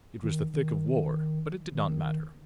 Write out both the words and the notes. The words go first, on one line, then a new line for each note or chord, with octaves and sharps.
It was the thick of war. But it did not matter.
D#3
D#3
D#3